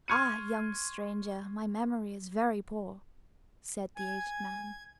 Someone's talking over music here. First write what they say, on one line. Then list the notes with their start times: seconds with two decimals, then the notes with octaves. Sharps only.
"Ah, young stranger, my memory is very poor!" said the aged man.
0.08 C6 C#6 F6 G#6 C#7 D#7
3.96 G#5 G#6